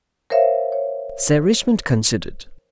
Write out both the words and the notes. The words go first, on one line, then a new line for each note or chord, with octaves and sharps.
Sir Richmond considered.
A#4 C5 C#5 E5 F5
C#5